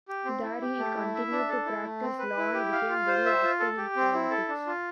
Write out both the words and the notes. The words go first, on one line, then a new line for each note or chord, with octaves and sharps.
There he continued to practise law and became very active in politics.
G4
C4
E4
G4
A3
E4
E5
D4
A4
E4
A3
C4
B4
E4
G4
F5
F4
C5
E5
F4
A4
G4
C4
E4
A4
D4
F4